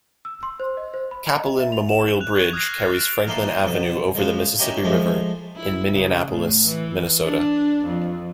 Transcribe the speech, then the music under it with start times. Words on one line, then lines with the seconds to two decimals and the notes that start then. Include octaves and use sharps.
Cappelen Memorial Bridge, carries Franklin Avenue over the Mississippi River in Minneapolis, Minnesota.
0.25 E6
0.43 C6
0.60 C5
0.77 D#5
0.94 C5
1.11 B5
1.27 A#5
1.40 D#5
1.60 E5
1.72 F7
1.89 E7
2.21 F#6 F7
2.36 C#6 G#6
2.53 D#6 F6 F#6 G#6 A#6 C7
2.67 F6
2.82 A6
2.97 D7 E7 F#7
3.27 E3 A#3 D#4 A4 C6
3.65 F2 B2 A4
4.15 C#3 F3 G#3
4.59 C#4 D#4 E4 F#4 G4 A#4
4.83 F3 G#3 A3
5.56 E4
5.92 C#3
6.30 A2
6.67 E3
7.25 D4
7.86 F2